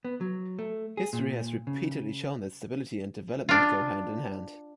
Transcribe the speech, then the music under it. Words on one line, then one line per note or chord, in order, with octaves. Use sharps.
History has repeatedly shown that stability and development go hand in hand.
B3
F#3
A3
G#4
A#2
C#3
D4 F4